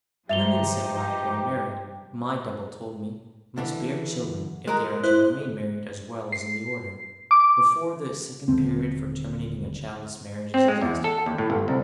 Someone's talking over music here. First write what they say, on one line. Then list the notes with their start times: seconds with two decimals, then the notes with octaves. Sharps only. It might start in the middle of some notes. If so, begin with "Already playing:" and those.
Women samurai who are married, my double told me, must bear children--if they are to remain married as well as in the order--before the second period for terminating a childless marriage is exhausted.
0.29 G2 F3 D#4 G4 C5 E5 F7 G7
3.58 D3 E3
4.67 G#3 A#4 F#6
5.03 E4 C5 F#6
6.32 C7
7.31 D6
8.48 D#1 D3 C4
10.54 C4
10.68 G#3
10.81 E2
11.04 A4
11.26 D#2
11.38 A2
11.50 G1
11.68 C2